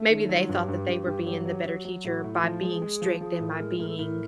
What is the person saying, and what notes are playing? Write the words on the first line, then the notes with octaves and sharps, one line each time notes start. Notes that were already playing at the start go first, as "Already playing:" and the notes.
maybe they thought that they were being the better teacher by being strict, and by being,
Already playing: A3
D#3 C#4
E4
F#3 F4
G2
G4
G2
G2
G2
F#3
F#3
F#3
F#3
A2 F#4
A2
F4
F3
G#3 G#4
G#3
F3
F3 G#4
A2
A#4
G#3
A2 A#4
A4
A2 A#4